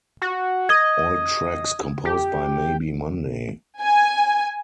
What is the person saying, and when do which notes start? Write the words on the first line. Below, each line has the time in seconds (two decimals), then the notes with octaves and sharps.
All tracks composed by Maybe Monday.
0.22 F#4
0.69 D#5 D#6 G#6
2.05 G4
3.81 G#5